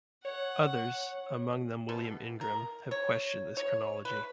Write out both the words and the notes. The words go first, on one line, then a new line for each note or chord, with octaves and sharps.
Others, among them William Ingram, have questioned this chronology.
C#5 F#5
B2
A#4
C#5
C#5
B4